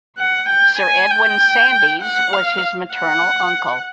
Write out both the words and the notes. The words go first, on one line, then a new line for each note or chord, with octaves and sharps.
Sir Edwin Sandys was his maternal uncle.
F#5
G5
G#5
G5
F#5
F5
F#5